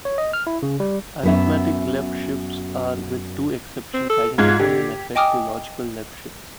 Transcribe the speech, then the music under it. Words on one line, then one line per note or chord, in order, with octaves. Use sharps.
Arithmetic left shifts are, with two exceptions, identical in effect to logical left shifts.
C#5
D#5
F6
E4
C#3
G3
F#2 B3 E5
C4
A4
G#2 F4 G#6
D3 G4
D#5 G5 G#5 D6 D#6 F6